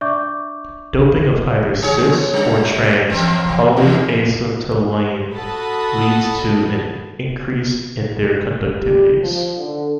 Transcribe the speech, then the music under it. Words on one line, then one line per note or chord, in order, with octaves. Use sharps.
Doping of either "cis"- or "trans"-polyacetylene leads to an increase in their conductivities.
D4 D5 E5 C#6 D6 G6
D3 G#4 C#5
G3 D4
E2 C4
E2 G#2 E3
F#4 A4 A5 B5 D#6
G3
F3
D3